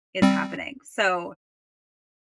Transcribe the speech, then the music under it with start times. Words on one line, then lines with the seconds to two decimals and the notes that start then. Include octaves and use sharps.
is happening?" So
0.22 G3 C4